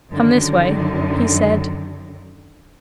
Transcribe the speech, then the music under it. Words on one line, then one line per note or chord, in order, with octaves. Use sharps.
"Come this way," he said.
F#2 D3 D#3